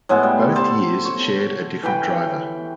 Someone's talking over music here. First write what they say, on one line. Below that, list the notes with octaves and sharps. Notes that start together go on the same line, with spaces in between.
Both years shared a different driver.
A2 G#3 B3 A4
G3
A4 C5 A5
C#5
E3 B4 G5